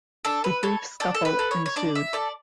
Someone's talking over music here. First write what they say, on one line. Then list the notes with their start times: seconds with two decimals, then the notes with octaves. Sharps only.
A brief scuffle ensued.
0.25 D4 A4
0.44 B4
0.63 A4 C#5
1.00 D4 A4
1.14 A4
1.25 B4
1.39 A4
1.51 C#5
1.66 C#5
1.76 D4 D5
1.95 E5
2.13 A4 D5